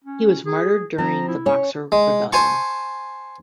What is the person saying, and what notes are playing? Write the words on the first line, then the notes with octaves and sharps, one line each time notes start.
He was martyred during the Boxer Rebellion.
C#4
G#4
F3 C4 A#5
E4
C#4 C#5
G#3
C5 G#5 A5 C#6